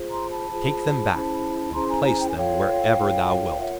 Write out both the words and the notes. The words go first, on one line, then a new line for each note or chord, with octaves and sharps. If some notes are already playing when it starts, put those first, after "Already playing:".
Take them back and place them wherever Thou wilt!
Already playing: F4 G#4 C5
A#5 C6
A5 B5
F4 G#4 C5
C#4 E4 G#4 C5
C#4 E4 G#4 C5 A#5 C6
G#5 A#5
G#5 A#5
G5
G#5
F4 A4 C#5 F5 G5
F4 A4 C#5
F4 A#4 C#5 E5 F#5